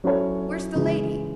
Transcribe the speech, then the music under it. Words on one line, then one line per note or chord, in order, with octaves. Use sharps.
Where's the lady?
F#3 C#4 E4 A4 C#5
C#3 E3 G#3